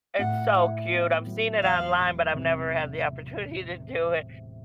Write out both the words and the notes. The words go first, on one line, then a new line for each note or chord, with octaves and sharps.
It's so cute. I've seen it online, but I've never had the opportunity to do it
A2 F#5
E4
B3
F#3
E1 F5
E1
C3